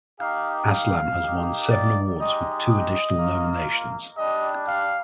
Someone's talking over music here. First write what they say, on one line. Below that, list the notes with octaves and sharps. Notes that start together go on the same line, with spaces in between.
Aslam has won seven awards with two additional nominations.
A#3 D#4 G4 F5
F5
A#3 D#4 G4
D5
G#3 D#4 G4 D#5
D#5
A#3 F4
G3 D4 G4 D#5
F5